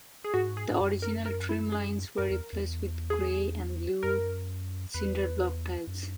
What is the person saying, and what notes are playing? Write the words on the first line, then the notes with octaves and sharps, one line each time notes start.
The original trim lines were replaced with gray and blue cinderblock tiles.
G#4
G#2 F#4
G#4
G#2
F#2
A#4
A#4
E4
G#4
F#2 A#4
E2
E2
G#4
F#2 A#4
E2 B4
F#2